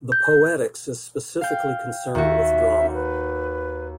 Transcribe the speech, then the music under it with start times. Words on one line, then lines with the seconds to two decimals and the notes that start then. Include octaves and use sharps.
The "Poetics" is specifically concerned with drama.
0.12 G6
1.41 F5 G5
2.15 D#2 F#4 E5
2.94 B4